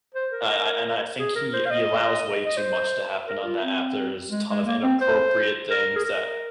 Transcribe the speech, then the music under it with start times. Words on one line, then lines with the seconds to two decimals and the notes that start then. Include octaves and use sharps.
I I and I think he he allows way too much to happen on that app. There's ton of inappropriate things that
0.14 C5
0.31 A#4
0.49 A#4
1.19 G#4
1.35 A#4
1.53 C5
1.66 F5
1.70 D#5
2.45 D#5
2.57 C5
3.27 A#4
3.44 F4
3.62 C4
4.31 G#3
4.49 G#3
4.66 A#3
4.83 C4
5.01 C5
5.70 A#4
5.96 G#4
6.04 A#4